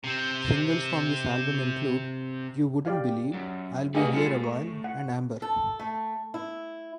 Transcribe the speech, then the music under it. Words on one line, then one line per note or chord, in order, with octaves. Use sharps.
Singles from this album include "You Wouldn't Believe", "I'll Be Here Awhile", and "Amber".
C3 C4
G4 D5 F5
F#2
A3 G4 G#4 B4 D#5 F5
A2 G3 F4
C#6
F#5
A4
A3
E4